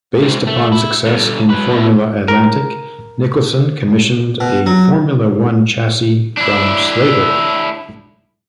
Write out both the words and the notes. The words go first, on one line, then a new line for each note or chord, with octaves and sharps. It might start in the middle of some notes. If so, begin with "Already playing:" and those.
Based upon success in Formula Atlantic, Nicholson commissioned a Formula One chassis from Slater.
G#2 C4
A3
E4
G2 D3
F#3 B4
B2 E4
A#4
B2
F#3
D4 E4